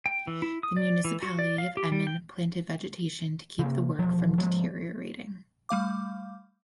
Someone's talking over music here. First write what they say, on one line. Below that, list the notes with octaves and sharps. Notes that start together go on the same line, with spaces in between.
The municipality of Emmen planted vegetation to keep the work from deteriorating.
G5
E3
E4
D#6
D5
E3
F#4
D5
F5
G4
G3
G5
C3 A#3
E1 F3
F3 G#3 B3
G3 A3 F5 D6